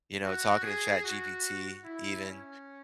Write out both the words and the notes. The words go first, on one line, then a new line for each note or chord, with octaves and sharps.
you know, talking to ChatGPT even,
F#4
G#4
F#4
E4
C#4